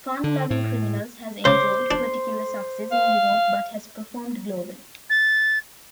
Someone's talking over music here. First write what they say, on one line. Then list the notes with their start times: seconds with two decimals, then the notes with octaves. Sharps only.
Fun Lovin' Criminals has enjoyed particular success in Europe but has performed globally.
0.24 D3
0.50 A2
1.45 C#3 C5 D6
1.91 D4
2.91 F5
5.10 A6